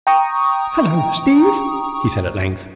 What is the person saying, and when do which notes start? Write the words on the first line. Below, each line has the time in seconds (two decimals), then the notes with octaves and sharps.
"Hello, Steve," he said at length.
0.07 G5 A#5 C#6 D#6